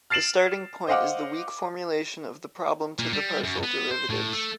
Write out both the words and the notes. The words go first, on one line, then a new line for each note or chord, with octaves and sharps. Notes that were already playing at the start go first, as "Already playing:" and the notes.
The starting point is the weak formulation of the problem to the partial derivatives.
F6 A6 C7 D7 E7 F#7
C5 D#5 F5 F#5 D6
A#2
G3
F#2
B3
C5
A2
A3